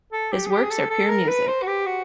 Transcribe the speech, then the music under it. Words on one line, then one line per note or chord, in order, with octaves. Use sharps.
His works are pure music.
A4
G4
G#4
G4
G#4
A4
A4
A#4
B4
C5
F#4
G4
F#4